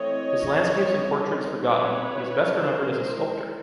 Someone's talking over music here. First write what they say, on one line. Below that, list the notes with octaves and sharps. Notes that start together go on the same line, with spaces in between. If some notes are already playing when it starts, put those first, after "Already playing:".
His landscapes and portraits forgotten, he is best remembered as a sculptor.
Already playing: E3 A3 C4 E4 C#5 D#5
F3 A#3 D4
G3 C4 E4
G3 C4 D#4
G3 C4 D#4 B4 C#5
D3 G3 C4 E4
D#3 F#3 B3 A#4 C5
D#3 G#3 C#4 E4